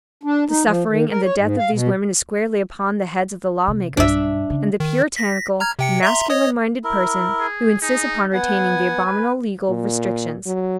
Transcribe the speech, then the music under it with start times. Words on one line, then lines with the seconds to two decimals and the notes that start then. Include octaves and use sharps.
The suffering and the death of these women is squarely upon the heads of the lawmakers and the puritanical, masculine-minded person who insist upon retaining the abominable legal restrictions.
0.23 D4
0.49 D#4
0.66 F3
0.88 D#3
1.10 A#4
1.24 C#5
1.38 G#2
1.58 F5
1.71 B2
3.68 C3
3.97 B1 G2 D4 E5
4.50 C#3
4.80 D#3
5.16 A#6 B6
5.60 A#5 F6 G#6
5.79 C3 G5 C#7
6.03 E5 A#5 C6
6.30 C#5 D#5 D#6
6.84 E4 A#4
7.40 G#4
7.82 D#4 G#4
8.33 B3 F#5 G#5
9.06 B4
9.69 A#2
10.46 F#3